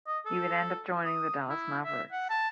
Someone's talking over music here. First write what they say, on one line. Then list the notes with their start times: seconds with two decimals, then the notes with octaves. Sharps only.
He would end up joining the Dallas Mavericks.
0.07 D#5
0.26 A4
1.05 D#6
1.50 E4
1.85 E5
2.12 F#5
2.30 A5